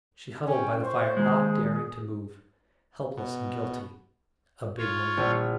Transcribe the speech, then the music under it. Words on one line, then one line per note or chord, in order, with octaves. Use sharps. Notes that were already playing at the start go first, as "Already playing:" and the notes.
She huddled by the fire not daring to move, helpless and guilty, a big woman.
C#4 G5
C5 C#6
D#2 G#3 G#4
B2
F4 C#5
A#1